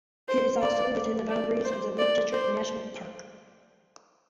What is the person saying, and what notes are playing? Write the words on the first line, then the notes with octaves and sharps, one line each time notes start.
It is also within the boundaries of the Lake District National Park.
C5
D5
D5
C5
D5
C5